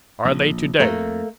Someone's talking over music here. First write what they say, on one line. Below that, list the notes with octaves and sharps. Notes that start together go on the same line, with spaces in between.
Are they to-day?
A#1
F2 A3 A#3